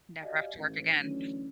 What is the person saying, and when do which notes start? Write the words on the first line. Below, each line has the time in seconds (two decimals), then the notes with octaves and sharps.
Never have to work again.
0.22 F#4 G4 D5 D#5 F5 G#5
0.54 A1
0.98 D3 E3 F#3 A3 C#4 D4